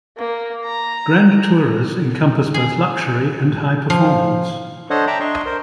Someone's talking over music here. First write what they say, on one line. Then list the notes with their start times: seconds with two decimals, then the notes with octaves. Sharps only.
Grand Tourers encompass both luxury and high-performance.
0.17 A#3
0.65 A#5
2.54 G#4
3.90 F3
4.90 D4 A4 C5 C#5 D#5 F#5
5.07 D5 E5 G5 A5 A#5
5.20 D4 D#5 C6 C#6
5.45 A#4 C5